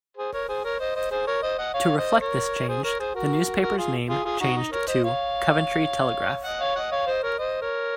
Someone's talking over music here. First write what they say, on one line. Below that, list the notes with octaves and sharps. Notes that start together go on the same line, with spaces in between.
To reflect this change, the newspaper's name changed to "Coventry Telegraph".
G#4 C5
A#4 C#5
G#4 C5
A#4 C#5
C5 D#5
C5 D#5
G#4 C5
A#4 C#5
C5 D#5
D#5 F#5
C#5 F5
C5 D#5
A#4 C#5
G#4 C5
A#4 C#5
G#4 C5
F#4 A#4
F#4 A#4
F4 G#4
F4 G#4
F4 G#4
D#4 F#4
D#4
A#4 C#5
C5 D#5
C#5 F5
D#5 F#5
C#5 F5
D#5 F#5
C#5 F5
C5 D#5
A#4 C#5
C5 D#5
A#4 C#5